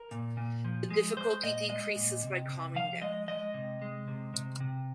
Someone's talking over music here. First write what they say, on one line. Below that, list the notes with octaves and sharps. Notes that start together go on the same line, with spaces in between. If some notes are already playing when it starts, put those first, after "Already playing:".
The difficulty decreases by calming down.
Already playing: A#4
A#2
A#2
F3
G#3
G#3 C5
A#2 D#5
G#3 D#5
A#2
C3
C3
F3 F5
G#3 D#5
G#3 D#5
C3
G#3
C3
C3
C3